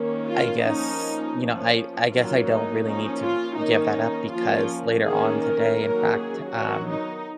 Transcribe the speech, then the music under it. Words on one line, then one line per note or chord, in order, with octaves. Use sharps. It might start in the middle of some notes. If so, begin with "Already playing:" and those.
I guess you know, I I guess I don't really need to give that up because later on today, in fact, um
Already playing: D#3 A#3 C#4
F4
F3 A#3 C#4 D#4
F3 A#3 C#4
D#3 F#3 A#3 C#4 F4
D#4
F3 A#3 C#4 D#4
F4
D#3 A#3 C#4 D#4
F3 A#3 C#4 F4
D#3 A#3 C#4 G#4
A#4
D#3 F#3 A#3 C#4
G#4
D#3 F#3 B3 F#4
D#4